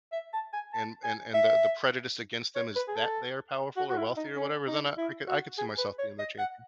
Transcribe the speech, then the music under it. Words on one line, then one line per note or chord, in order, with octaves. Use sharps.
and, and, and the, the prejudice against them is that they are powerful or wealthy or whatever, then I, I could, I could see myself being their champion.
E5
A5
G#5
A5
G#5
E5
C#5
B4
G#4
A4
F#4
F#4
E4
D#4
C#4
D#4
E4
F#4
G#4
B4
C#5
D#5
F#5